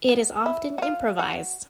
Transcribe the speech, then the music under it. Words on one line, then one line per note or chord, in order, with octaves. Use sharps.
It is often improvised.
B3
E4
F#4
F4
F#4